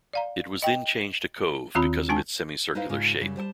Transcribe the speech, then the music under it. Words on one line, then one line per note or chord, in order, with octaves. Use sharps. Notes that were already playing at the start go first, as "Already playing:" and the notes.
It was then changed to Cove because of its semicircular shape.
D5 F5 A#5
D#5 G5
D#2 D#3 C4 F4 A#5 B5
G#3 D4 G#5 A5
D#4 E4 B4 C5 F5
G#2 C#3 G#3 D#4 F4
F#2 C#3 G3
G3 C5 G#5 A5